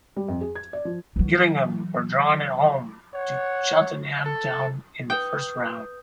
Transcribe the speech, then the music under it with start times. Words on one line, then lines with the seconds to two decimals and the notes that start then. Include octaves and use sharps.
Gillingham were drawn at home to Cheltenham Town in the first round.
0.16 G3
0.28 F2
0.41 G#4
0.55 G#6
0.73 D5
0.85 F3
1.16 E3 F#3
3.14 C#5 F#5
4.26 A4
5.10 B4 G5 D#6 G6